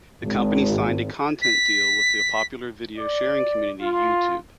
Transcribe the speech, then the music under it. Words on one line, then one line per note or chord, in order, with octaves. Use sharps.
The company signed a content deal with the popular video sharing community YouTube.
G#1
B6
D5
F4